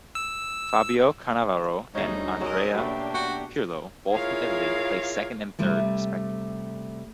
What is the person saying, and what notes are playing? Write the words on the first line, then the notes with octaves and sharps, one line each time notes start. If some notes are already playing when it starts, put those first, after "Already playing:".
Fabio Cannavaro and Andrea Pirlo, both from Italy, placed second and third respectively.
E6
D2 G3 B3 C#4 D#4 G#4
F#3 G#3 A#4 D#5
B2 A3 A#3 D4 G4
F#4 G5
E4 F4 G#4 A#4 C#5 F5
C3 G3 A3